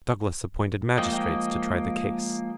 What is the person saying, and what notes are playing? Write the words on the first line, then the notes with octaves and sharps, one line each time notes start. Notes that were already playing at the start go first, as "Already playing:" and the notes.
Douglas appointed magistrates to try the case.
F3 G#3 A#3 D#5 G5